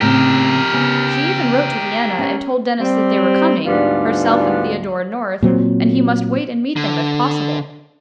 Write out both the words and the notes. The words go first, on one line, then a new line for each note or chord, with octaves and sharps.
She even wrote to Vienna, and told Denis that they were coming, herself and Theodora North, and he must wait and meet them if possible.
A2 C#3 C4 G4 A#4
C#3 B3 G#5
C#4 C#5
G3 C4
D2 G#2 G3 B3 D4 F4
A#2 F#3 C4
D3